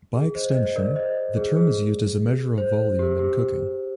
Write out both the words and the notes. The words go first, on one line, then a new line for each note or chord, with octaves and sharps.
By extension, the term is used as a measure of volume in cooking.
G#4
C5 D#5
C5 D#5
A#4 D5
C5 D#5
G#4
G#4
C5
G4
G4